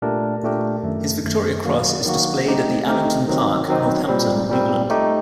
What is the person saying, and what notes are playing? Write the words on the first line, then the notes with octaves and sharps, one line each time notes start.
His Victoria Cross is displayed at the Abington Park, Northampton, England.
A#2 A3 D4 G4 A#4
A#2 A3 D4 G4 A#4
F#2 D#3 A3
F#2 D#3 A3
D#3 F#3 A#3 F#4
D#3 F#3 A#3 F#4
A3 C4 D#4 G4
A3 C4 D#4 G4
D#3 F#3 C4 D#4
D#3 F#3 C4 D#4
A#2 G3 C4
A#2 G3 C4
A3 D#4 G4